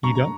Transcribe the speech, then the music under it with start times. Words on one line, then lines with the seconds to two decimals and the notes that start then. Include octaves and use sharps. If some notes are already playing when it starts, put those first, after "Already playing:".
You don't
0.03 G2 A#5 C#6
0.15 A#5